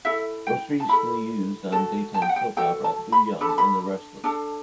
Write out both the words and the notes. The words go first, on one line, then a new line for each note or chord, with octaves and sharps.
Most recently used on daytime soap opera "The Young and the Restless".
E4 A4 E5
G5
A5
E4 A4 B5
F#4 A4 A5
A5
G5
F#5
G5
F#4 A4 G5
A5
B5
D4 A4 B5
A5
B5
D4 A4 A5